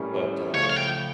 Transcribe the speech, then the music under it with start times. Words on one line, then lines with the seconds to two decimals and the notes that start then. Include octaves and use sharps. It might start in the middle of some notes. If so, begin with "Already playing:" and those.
But, uh
Already playing: A2 G3 C#4 E4 A#4
0.54 C#2 C#3 F3 A3 C#5
0.70 F5
0.77 G5